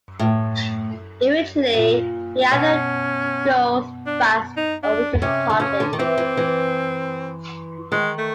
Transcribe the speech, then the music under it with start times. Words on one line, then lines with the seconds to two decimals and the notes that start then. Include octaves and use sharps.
Eventually he either goes bust or reaches his target.
0.19 A2
1.74 A#2
2.51 B2 C#4
4.06 D4
4.57 D#4
4.83 D4
5.22 C3 C#4
5.50 D3
5.60 C#3 C#4
5.80 D3
5.93 D#3
5.99 E3 C4
6.18 E3
6.37 E3
7.92 D#3 G#3
8.18 A3